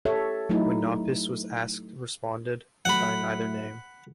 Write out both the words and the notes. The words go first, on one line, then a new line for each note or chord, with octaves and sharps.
When Knopis was asked responded: by neither name.
G4 A4 C#5 E5
F#3 A3 D#4 E4
F#3 A3 F#5 B5